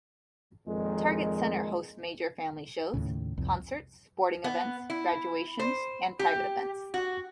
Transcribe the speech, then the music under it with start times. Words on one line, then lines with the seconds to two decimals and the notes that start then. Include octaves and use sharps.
Target Center hosts major family shows, concerts, sporting events, graduations and private events.
0.67 F2 A#2 D#3 G#3
2.94 D#2 A2 C#3
3.38 C2 F2
4.44 B3
4.90 E4
5.59 C5
6.19 G4
6.94 F#4